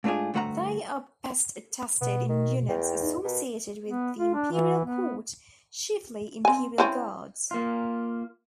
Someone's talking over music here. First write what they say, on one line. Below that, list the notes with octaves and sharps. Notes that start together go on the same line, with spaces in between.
They are best attested in units associated with the imperial court, chiefly imperial guards.
G#2 A3 D4 F4 G#4
D2 G2 A3 F#4 F#5 A#5
B2 B3
D#3
E2 G5
D#4
B2 A#4
B3
F4
D4
E3
B3
C4 G#5
E3 C4 C#4
A#3 F4